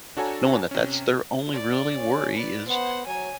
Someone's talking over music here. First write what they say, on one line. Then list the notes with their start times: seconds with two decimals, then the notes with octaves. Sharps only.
knowing that that's their only really worry is
0.17 D4 F#4 A4 C#5 G#5 A#5
0.71 C3 C#4
1.53 D5
1.95 C#4
2.34 B4 D5
2.67 B3 C5 F#5
3.06 F#3 C#5 G#5